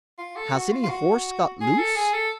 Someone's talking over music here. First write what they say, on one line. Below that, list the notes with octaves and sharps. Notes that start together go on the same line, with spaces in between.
"Has any horse got loose?"
F4
A4
F#4
F4
F4
F#4
G#4
A4
G#4
A4